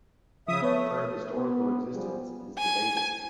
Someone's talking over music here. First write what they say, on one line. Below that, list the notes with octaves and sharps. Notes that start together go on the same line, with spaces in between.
Her historical existence is debated.
C#3 F3 E5 D#6
A3 B3 B4 C#5
D#6
B3
F3 G3 G#4
G#5